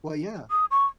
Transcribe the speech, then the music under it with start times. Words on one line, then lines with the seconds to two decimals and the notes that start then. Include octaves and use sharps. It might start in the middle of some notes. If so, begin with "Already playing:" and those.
Well, yeah.
0.51 D#6
0.71 C#6